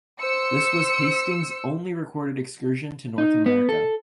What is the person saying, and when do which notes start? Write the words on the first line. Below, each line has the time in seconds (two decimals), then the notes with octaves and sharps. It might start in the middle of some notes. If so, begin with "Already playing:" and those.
This was Hastings’ only recorded excursion to North America.
0.21 C5 E6 C#7
3.18 D#4
3.46 B3
3.69 A4